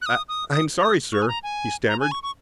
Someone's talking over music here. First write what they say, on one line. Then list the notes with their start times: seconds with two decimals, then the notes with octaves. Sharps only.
"I--I'm sorry, sir," he stammered.
0.02 F#6
0.06 D#6
0.29 D#6
0.52 D#6
0.82 D#6
1.12 C#6
1.22 G#5
1.28 A#5
1.43 G#5
1.88 A#5
2.00 G#5
2.11 C#6
2.23 C#6